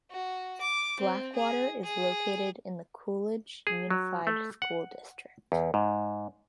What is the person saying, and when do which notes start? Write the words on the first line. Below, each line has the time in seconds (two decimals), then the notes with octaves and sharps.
Blackwater is located in the Coolidge Unified School District.
0.11 F#4
0.61 D6
1.00 C4
1.35 G#4
1.84 G#4
3.67 G#4
3.90 F#3
4.27 A3
4.62 F#5
5.52 E2
5.74 G#2